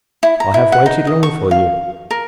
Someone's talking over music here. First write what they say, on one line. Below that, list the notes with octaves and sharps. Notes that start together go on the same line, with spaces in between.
I have waited long for you.
E4
A#5
E4
F#5
D#4
D#5
C#6
F5
A#4